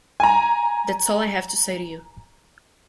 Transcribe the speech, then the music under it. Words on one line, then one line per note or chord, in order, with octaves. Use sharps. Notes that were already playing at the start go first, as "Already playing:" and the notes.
That's all I have to say to you!
G#5 A#5